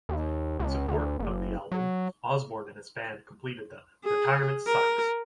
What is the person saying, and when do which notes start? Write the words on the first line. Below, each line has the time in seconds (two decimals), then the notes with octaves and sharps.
In support of the album, Osbourne and his band completed the Retirement Sucks!
0.09 D#2
0.60 C#2
0.88 D2
1.19 F#1
1.72 F#3
4.04 G#4
4.66 A#4